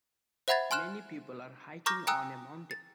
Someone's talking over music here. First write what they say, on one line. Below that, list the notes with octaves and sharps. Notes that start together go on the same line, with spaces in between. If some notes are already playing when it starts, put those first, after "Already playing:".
Many people are hiking on a mountain.
C5 E5 F#5 B5 G#6 A6
G#5 C6 F6 F#6 E7
A#5 C#6 D6 F6 G6 A#6
G5 G#5 A#5 D#6 E6 F#6
A6